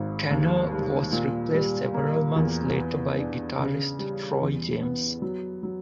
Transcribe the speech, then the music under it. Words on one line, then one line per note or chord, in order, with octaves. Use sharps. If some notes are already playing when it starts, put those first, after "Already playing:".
Tanner was replaced several months later by guitarist Troy James.
Already playing: G#1 G#2
D#2
G3
A#2
G3
A#3
E2
B3
D4
C#3
G3
E2
B3
F#3
F#3